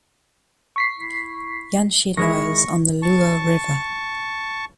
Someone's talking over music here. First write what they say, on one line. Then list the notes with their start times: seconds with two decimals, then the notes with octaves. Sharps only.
Yanshi lies on the Luo River.
0.76 C#6 B6 C7
0.97 E4
2.17 D#3 G#3 E4 C#6 A#6
3.02 A5 C#6